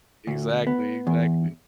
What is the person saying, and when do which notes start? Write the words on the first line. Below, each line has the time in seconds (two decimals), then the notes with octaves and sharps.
Exactly exactly,
0.27 D2
0.67 B3
1.07 E2